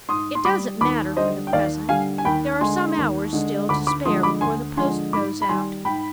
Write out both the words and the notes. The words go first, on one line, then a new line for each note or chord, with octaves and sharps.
It doesn't matter for the present; there are some hours still to spare before the post goes out.
G#2 C6 D#6
C6
G3 B5 D6
D#2 B5 D6
D3 G3 C5 D#5
G5
D#2 D5 F5
D3 G3 F5 G#5
G#5
D#2 G5 B5
D3 G#3 G#5 C6
D#2
D3 G#3
D2 B5 D6
B5 D6
D3 F3 G#3 C6 D#6
B5 D6
D2 G#5 C6
D3 F3 G#3 G#5 C6
G#2 B5 D6
B5
D#3 G3 G#5 C6
G#2 G5 B5